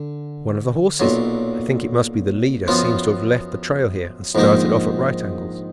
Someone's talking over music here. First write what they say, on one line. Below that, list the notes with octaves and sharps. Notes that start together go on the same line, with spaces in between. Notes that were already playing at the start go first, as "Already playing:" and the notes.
"One of the horses, I think it must be the leader, seems to have left the trail here and started off at right angles."
Already playing: D3
B1 A#2 F#3
F#2 F3 B3 F4
A#1 G#2 D#3 A#3 D#4